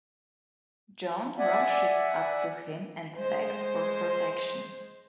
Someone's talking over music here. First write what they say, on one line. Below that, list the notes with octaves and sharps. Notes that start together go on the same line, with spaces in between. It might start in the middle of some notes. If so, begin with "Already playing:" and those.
John rushes up to him and begs for protection.
D5 E5 F#5 G#5
G#3 C5